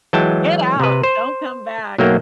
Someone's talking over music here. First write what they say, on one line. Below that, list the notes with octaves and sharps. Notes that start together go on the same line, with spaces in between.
Get out, don't come back.
E3 F#3 G#3 G5 A5
C3 B4
C5
B1 F#3 A3 A#3 G5